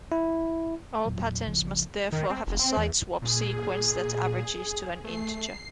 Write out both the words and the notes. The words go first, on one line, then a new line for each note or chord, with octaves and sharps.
All patterns must therefore have a siteswap sequence that averages to an integer.
E4
E2 A#2 F#3
D1 G#1 C#3 F3
D#3
C4
F1
C4
E2
A#2 G#4
A3 C7